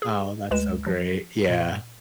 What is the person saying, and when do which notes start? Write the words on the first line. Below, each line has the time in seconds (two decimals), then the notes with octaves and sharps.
Oh, that's so great. Yeah.
0.02 G#4
0.51 D2 G#3 B4 E7
0.86 F3
1.50 A#2